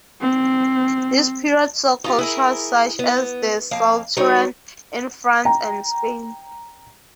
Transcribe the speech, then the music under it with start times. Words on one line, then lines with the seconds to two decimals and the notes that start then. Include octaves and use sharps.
This period saw cultures such as the Solutrean in France and Spain.
0.21 C4
2.04 D#4 F4 G4
2.19 E4 G#4 A#4
2.99 B3
3.71 F2 A#3 F5
4.17 G3 D#4 F#4 A#4 C#5
5.45 G5 A#5